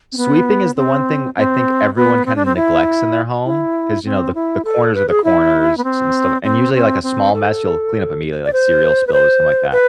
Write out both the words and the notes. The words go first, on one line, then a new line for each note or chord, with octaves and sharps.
sweeping is the one thing I think everyone kinda neglects in their home, 'cause, you know, the the corners of the corners and stuff, and usually, like, a small mess, you'll clean up immediately, like cereal spill or something like that.
C4
B3
C4
C4
B3
C4
D4
C4
E4
E4
C4
E4
A4
B4
G#4
E4
B3
C4
C4
C4
C4
A4
D5
C5
B4
C5
B4